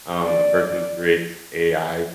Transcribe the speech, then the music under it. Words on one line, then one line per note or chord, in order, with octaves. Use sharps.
um, a person who creates AI
D5